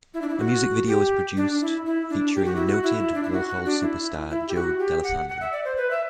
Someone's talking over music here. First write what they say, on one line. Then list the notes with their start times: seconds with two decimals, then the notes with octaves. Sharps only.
A music video was produced featuring noted Warhol superstar Joe Dallesandro.
0.14 E4
0.22 D4
0.29 E4
0.39 F#4
0.87 G4
1.37 D4
1.61 E4
1.86 E4
2.10 D4
2.35 G4
2.45 F#4
2.56 E4
2.67 F#4
2.83 E4
3.14 D4
3.24 E4
3.33 F#4
3.49 F#4
3.65 D4
3.82 E4
4.30 E4
4.49 G4
4.55 F#4
4.79 G4
5.04 F#5
5.29 F#5
5.41 E5
5.52 D5
5.65 C5
5.77 B4
5.91 E5